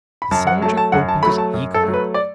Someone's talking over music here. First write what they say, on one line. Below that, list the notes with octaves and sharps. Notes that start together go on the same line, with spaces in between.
The soldier opened it eagerly.
B5
F#2 A5
F#5
F#3 A3 A5
A5
F#2 F#5
A5
F#3 A3 B5
A5
F#2
A4
F#3 A3
B4
D5